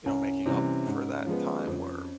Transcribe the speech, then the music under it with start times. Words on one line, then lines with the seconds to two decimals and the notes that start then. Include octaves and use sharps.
you know, making up for that time where
0.06 C2 C#4
0.46 C3 E3 G3
0.87 G#2
1.26 F3 G#3 B3
1.67 F2